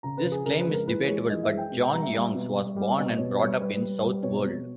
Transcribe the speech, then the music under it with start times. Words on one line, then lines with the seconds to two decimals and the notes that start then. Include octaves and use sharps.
This claim is debatable, but John Youngs was born and brought up in Southwold.
0.03 C#3 A#5
0.17 B4
0.24 C#3
0.32 G#4
0.45 C#3 A#4
0.60 B4
0.67 G#3
0.73 A#4
0.87 E3 B4
1.08 G#3 C#5
1.29 E3 D#5
1.43 E5
1.51 G#3
1.57 G5
1.71 B2
1.82 G5
1.92 G3 A#5
2.03 E5
2.14 G3
2.34 B2
2.55 G3
2.76 G3
2.97 B2 D#5
3.18 B2 C#5
3.39 G3 C#5
3.60 G3 B4
3.81 G3
4.02 G3
4.23 B2 C#5
4.44 B2